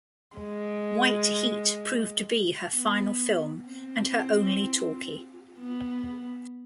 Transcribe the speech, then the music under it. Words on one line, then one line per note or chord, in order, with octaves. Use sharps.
"White Heat" proved to be her final film, and her only talkie.
G#3
B3
C4
B3